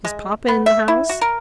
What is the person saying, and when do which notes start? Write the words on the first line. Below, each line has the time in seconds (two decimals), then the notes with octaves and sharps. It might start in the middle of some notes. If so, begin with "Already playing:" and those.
"Is papa in the house?"
0.05 G#3
0.48 B3
0.66 E5
0.88 E4
1.09 F#4
1.21 A#4